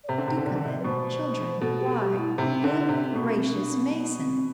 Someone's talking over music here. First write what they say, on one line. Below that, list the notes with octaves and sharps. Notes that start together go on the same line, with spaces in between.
"Do come in, children--why--good gracious, Mason!"
D5
C3 C5
D3
C3
D3
C3 D5
D3
C3
B4
B2 C5
B2 A4
G4
G4
E4
C3 E4
D4
C4
D3 D4
C3
C4
B2 B3
D4
C4
D4
C4
B3
C4